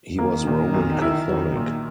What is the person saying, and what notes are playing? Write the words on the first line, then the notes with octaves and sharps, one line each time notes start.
He was Roman Catholic.
D#3 A#3
A#2
B1
E4
F#3
A#2